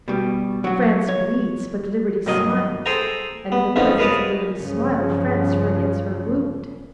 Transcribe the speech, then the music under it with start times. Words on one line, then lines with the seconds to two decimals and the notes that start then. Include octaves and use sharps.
France bleeds, but liberty smiles; and in the presence of liberty's smile, France forgets her wound.
0.08 B2 G3
0.64 F#3 F#4
1.08 C#5
2.26 G2 F#3 A#4 D#5
2.86 G#4 A4 C5 G5 G#5 A#5
3.52 B3
3.76 F2 F3 B3 C#4 D#4
3.98 G#4 A#4 B4 C#5 D#5 A5
4.58 G2 C#3 F3